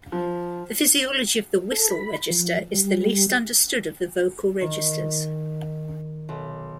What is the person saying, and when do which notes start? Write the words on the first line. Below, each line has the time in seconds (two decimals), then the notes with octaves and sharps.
The physiology of the whistle register is the least understood of the vocal registers.
0.12 F3
1.72 A4
1.90 B5
2.30 F3
2.74 G3
4.61 D#3
6.29 B1